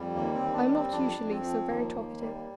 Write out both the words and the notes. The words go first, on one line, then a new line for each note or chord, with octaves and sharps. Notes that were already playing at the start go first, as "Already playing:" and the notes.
I am not usually so very talkative.
Already playing: F2 G3
D#2 A#3
C4
D#2
D4
G3
C4
F2 D4
F2
C4
F3
D#2 A#3
D#2
G3
A#3